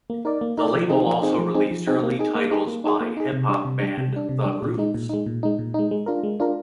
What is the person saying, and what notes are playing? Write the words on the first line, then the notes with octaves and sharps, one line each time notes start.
The label also released early titles by hip hop band The Roots.
A#3
D#4 A#4 D5
A#3
D#4 A#4 D5
F3
C4 D#4 G#4
F3
C4 D#4 G#4
F3
C4 D#4 G#4
F3
C4 D#4 G#4
A#3
D#4 G#4
A#3
D#4 G#4
A#3
D#4 G#4
A#3
D#4 G#4
C3
G3 D4
C3
G3 D4
C3
G3 D4
C3
G3 D4
A#2
G#3 D#4
A#2
G#3 D#4
A#2
G#3 D#4
A#2
G#3 D#4
G#3
D4 F4 A#4
G#3
D4 F4 A#4